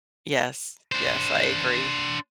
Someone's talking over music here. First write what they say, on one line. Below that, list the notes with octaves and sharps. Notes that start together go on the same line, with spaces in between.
Yes, yes, I agree,
D4 C5